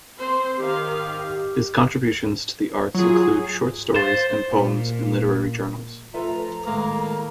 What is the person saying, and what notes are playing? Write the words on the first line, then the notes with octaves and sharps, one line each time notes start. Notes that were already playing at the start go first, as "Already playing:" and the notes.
His contributions to the arts include short stories and poems in literary journals.
C4 C5 C6
D#3 G4 F5
F#3 F4 G#4
C5 F5 A6 E7
A#2
F3 A3 F4 A4 B4 E5 A#5
A2 D#3 G#3 A#3 G#4 A4